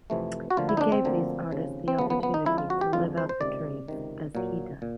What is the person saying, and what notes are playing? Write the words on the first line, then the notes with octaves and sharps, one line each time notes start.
He gave these artists the opportunity to live out their dreams as he does.
F2 C3 E3 A3
F#4
D2 D3 F3 A#3 F4
E4
D#4
D4
C4
D2 D3 F3 A#3
D#2 C#3 F3
C4
D#2 C#3 F3 B3
B3
B3
D#4
F2 D3 F3 G#3 E4
F4
F#4
G4
F2 D3 F3 G#3 F4
C5
C5
C#2 C3 D#3 D5
C#2 C3 D#3
A#2 F#3 A#3
A#2